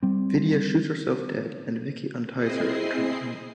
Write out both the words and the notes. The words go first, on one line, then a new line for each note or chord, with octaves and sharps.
Vidya shoots herself dead and Vicky unties her and returns home.
G3 C4
C4 E4 G#4 D#5 C7